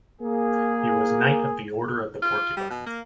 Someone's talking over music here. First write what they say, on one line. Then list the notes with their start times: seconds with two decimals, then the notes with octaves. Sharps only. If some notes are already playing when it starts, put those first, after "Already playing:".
He was Knight of the Order of the Porcupine.
0.22 A#3 G#4
2.22 F4
2.57 G3
2.70 B2
2.86 A#3